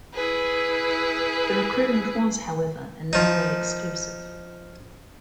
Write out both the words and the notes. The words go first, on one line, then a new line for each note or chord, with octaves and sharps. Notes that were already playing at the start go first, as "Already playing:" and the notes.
The recruitment was however in no way exclusive.
E4 G#4 B4
F3 D#4